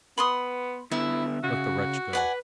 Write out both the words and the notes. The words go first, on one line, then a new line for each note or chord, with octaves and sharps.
Let the wretch go.
B3 B5 C6 D#6
D3 B3 E4 E5
C#3 F#4
B4 D5 F#5 G#5